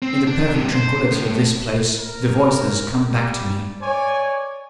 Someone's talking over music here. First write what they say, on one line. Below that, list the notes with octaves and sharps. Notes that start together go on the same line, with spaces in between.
In the perfect tranquillity of this place the voice has come back to me.
C4
D4
G2 C3
C5
A2
A#4
G3
C#5 D5 G#5